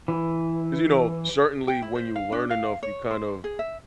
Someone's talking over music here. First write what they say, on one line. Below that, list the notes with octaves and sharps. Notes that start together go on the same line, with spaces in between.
'cause, you know, certainly when you learn enough you kind of
E3
G5
E4
C5
F5
D4
F5
C#5
C5
G#4
E5